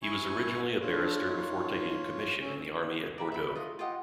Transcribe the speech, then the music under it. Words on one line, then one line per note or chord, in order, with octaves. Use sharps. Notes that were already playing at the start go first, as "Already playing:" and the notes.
He was originally a barrister before taking a commission in the army at Bordeaux.
E4 G#4 G#5 C#6
A#4
D4 F4 C#5
D#4
C#4 A4
D5 A#5 B5
E5 B5
F4 D#5
F4 G4 D#5 F#5